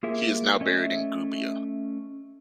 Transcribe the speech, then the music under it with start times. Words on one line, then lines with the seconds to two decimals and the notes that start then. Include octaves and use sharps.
He is now buried in Gubbio.
0.03 A#3 F4 G#4 A#4 E5
0.60 A3 C#4 D#5 E5